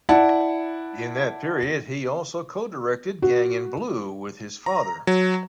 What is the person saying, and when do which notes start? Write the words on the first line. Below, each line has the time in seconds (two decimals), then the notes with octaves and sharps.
In that period he also co-directed "Gang in Blue" with his father.
0.09 E4 D5 F#5 A5
3.22 F#4
4.66 A#5
5.07 F#3